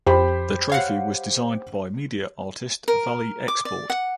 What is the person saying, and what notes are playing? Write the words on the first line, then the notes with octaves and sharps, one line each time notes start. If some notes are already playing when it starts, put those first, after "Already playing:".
The trophy was designed by media artist Valie Export.
F2 G4 C5 B5
C#5 F5 F#5
A#4
D6
D5
F#5